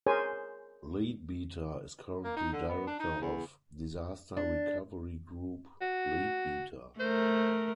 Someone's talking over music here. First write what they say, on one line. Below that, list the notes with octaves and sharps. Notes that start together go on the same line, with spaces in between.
Leadbeater is currently director of "Disaster Recovery Group Leadbeater".
G#4 A#4 C5 C#5 G#5
A#3
D#4
D3
B3
D4
D#4
E2
D4
F#4
A3 A#4 C5